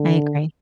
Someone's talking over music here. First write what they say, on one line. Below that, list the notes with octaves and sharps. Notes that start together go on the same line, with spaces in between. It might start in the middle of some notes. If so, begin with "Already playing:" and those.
I agree.
Already playing: D3